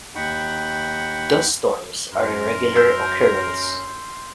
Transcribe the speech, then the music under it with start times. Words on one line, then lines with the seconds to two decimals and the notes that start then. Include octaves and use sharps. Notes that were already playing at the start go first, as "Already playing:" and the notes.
Dust storms are a regular occurrence.
0.15 D#2 D#4 F#5 G5 B5 C#6
2.13 F#2 A#4 C6
2.76 E6 F6 G6